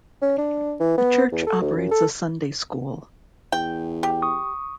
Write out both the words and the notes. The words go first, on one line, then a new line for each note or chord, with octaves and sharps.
The church operates a Sunday school.
C#4
D4
E3
B3
E2
A4
D2
F#2
A4
E2 G5
G4
C#6 D#6